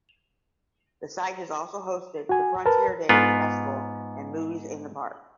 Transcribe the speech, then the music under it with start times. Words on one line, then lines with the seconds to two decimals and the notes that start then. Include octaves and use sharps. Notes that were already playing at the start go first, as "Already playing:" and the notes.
The site has also hosted the Frontier Days festival and Movies in the Park.
2.29 F#4 G#5
2.66 A#4 B4 A5
3.09 G#2 B3 F4